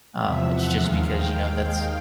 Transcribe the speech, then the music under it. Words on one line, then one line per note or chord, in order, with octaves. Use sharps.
Um, it's just because, you know, that's
E2 C3 F3 E5
F#5
D#2 D#3 G#3 F5
G5